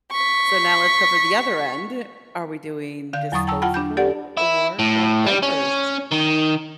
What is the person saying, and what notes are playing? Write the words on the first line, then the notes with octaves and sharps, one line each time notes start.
so now let's cover the other end. Are we doing disposable or cloth diapers?
C#6 B6
D3 F5 G6
E2 F#3 A#5 C#6 D#6 A6
G5 A5 A#5 E6
F4 F#5 G5 A5 B5
D4 B5 G6
G4 A4 D5 F#5
E4
A2
G3
C#4
D#3